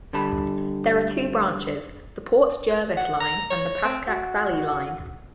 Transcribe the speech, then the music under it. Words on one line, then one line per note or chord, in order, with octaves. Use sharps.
There are two branches: the Port Jervis Line and the Pascack Valley Line.
D3 G3 A5 B5
F#5
A#5
C#5
C4
F#4